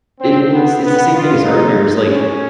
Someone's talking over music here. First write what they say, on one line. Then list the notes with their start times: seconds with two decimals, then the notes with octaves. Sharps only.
It well, it's it's the same thing as earlier, is like,
0.20 C4
0.52 B3
0.82 B3
1.14 F4
1.45 D#4
2.07 C#4